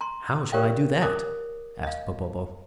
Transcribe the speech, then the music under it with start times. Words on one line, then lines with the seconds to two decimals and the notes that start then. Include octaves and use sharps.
"How shall I do that?" asked Popopo.
0.01 A#5 C6
0.52 G4 A#4 C#5 D5 F5 G5
1.02 A#4 C#5 D6 D#6
1.84 D#5 F5